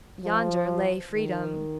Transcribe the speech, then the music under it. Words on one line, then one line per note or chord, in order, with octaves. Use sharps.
Yonder lay freedom!
F3
D#3